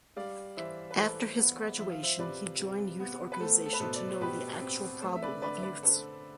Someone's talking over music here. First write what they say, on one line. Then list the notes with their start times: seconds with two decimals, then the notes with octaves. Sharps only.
After his graduation he join Youth Organisation to know the actual problem of youths.
0.16 G3 D5 F5
0.57 E3 C5 E5
0.91 B4
0.97 E3 A4 C5
1.38 B3
1.78 F3 E5
1.91 F5
2.03 C5 E5
2.19 C3 B4 D5
2.59 C3
3.00 B3
3.32 B4
3.40 A3 A4 C5
3.66 A4
3.73 B4
3.80 B2 A4 C5
3.96 D5
4.09 C5
4.21 B2 G4 B4
4.61 C4
5.02 A3 A4 C5
5.15 E5
5.22 B4 D5
5.42 D3 B4 D5
5.57 E5
5.62 B4 D5
5.83 D3 A4 C5